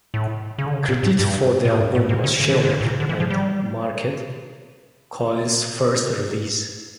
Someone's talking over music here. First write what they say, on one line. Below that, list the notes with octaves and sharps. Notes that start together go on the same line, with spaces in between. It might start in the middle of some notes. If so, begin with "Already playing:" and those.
Credit for the album was shared, and marked Coil's first release.
A2
C#3
D3
C#3
A#2
A2
G2
A#2
A2
G2
A2
A#2
C#3
C#3
E3
D3
D3
C#3
A2
A#2
D3
E3
F3
G3